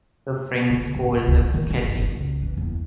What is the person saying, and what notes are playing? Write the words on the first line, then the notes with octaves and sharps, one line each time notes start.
Her friends called her Kattie.
D3
A1
F#3
D2
D#4
D#3
F3
G1
F2
C#2
E3
E2